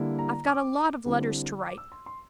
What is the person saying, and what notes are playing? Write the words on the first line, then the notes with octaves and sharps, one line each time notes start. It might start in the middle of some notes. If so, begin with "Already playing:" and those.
I've got a lot of letters to write.
Already playing: D3 G3 A#3 E4
A#5
D6
D3 G3 C4 E4
D6
E6
C6
C6